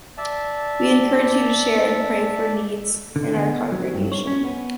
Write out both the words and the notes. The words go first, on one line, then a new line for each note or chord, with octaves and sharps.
We encourage you to share and pray for needs in our congregation.
D5 E5 A5
D3
B3
F#3
G2
C#5
C#4
B3